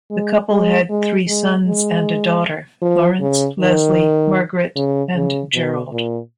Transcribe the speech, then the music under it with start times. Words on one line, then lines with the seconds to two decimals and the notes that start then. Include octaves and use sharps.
The couple had three sons and a daughter-Lawrence, Leslie, Margaret, and Gerald.
0.11 G#3
0.51 G#3
0.89 G#3
1.28 G#3
1.66 G#3
2.82 F3
3.21 C#3
3.60 D#3
4.76 C#3
5.15 C#3
5.54 B2
5.92 A#2